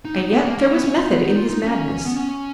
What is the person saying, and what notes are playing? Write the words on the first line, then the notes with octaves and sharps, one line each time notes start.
And yet there was method in his madness.
D#4
D#4
B3
A#3
A#3
B3
C#4
D#4
B3
D#4
F4
D#4
C#4
B3
C#4